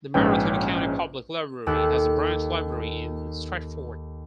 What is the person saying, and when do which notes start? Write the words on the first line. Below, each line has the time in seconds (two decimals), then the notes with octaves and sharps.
The Marathon County Public Library has a branch library in Stratford.
0.14 A#1 G#2 C#4 B4 G5
1.66 D#2 G4 A4 G5 F#6 D7